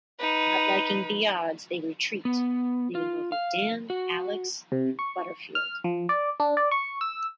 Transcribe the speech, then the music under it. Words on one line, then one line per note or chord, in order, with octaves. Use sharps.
Not liking the odds, they retreat, leaving only Dan, Alex and Butterfield.
D#4 B4
B3
F4
F5
F#4
C3
C#6
F6
F3
D5
D4
D5
C#6
E6